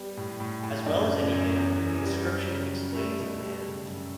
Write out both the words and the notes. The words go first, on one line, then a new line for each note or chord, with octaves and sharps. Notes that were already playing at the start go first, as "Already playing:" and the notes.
As well as anything, the inscription explains the man.
Already playing: G3 B3
A2
A2
A2
F#2 D4
C#3
C#4
F#2
E2
E3
G3
F#2
C#3
F#3
G3 A3
B2
G3
C#3
F#2